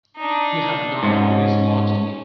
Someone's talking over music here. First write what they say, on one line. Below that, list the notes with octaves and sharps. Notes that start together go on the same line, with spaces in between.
You have now dislodged it.
D4 D#4
G#2 C#4